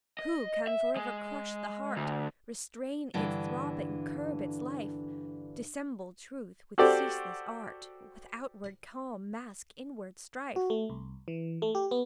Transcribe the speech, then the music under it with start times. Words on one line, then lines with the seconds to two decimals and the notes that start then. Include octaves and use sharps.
"Who can for ever crush the heart, Restrain its throbbing, curb its life? Dissemble truth with ceaseless art, With outward calm mask inward strife?"
0.19 D#5
0.67 E5
0.96 G#3
1.96 D2
3.14 G2 D3 E3
6.78 F#4 G4 A4 C5 D5
10.56 F#4
10.70 A3
10.90 C2
11.28 E3
11.62 A3
11.75 G4
11.91 B3